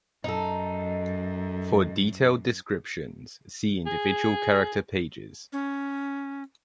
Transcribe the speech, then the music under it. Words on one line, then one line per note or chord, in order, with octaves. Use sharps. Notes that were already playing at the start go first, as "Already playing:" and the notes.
For detailed descriptions, see individual character pages.
F#2 D#4 A4
G#4
C#4